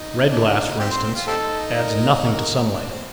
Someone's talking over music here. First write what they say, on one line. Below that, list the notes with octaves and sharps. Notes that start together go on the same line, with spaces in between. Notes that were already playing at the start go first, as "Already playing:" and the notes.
Red glass for instance adds nothing to sunlight.
Already playing: D#4
D4
C4 G4
C5
C5
F4
G3 C4 D#4 A4
A#4
A#4
D4
C4